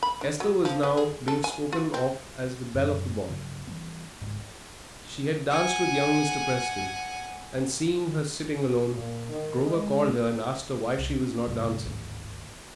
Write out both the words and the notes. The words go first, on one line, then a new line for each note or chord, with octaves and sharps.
Esther was now being spoken of as the belle of the ball, she had danced with young Mr. Preston, and seeing her sitting alone Grover called her and asked her why she was not dancing.
B5
D4
F#3
F3
B3
G#4
A4
G#5
F4
C4
F#2 A#2 F#3
G2 C#3 F3 F#3
E3 G3 B3
G#1 C#2 G#2
F#5 G#5
A#2
D#3
G#3
C2
C#4
D2 G#2 C3 G3
G#1 D2 A2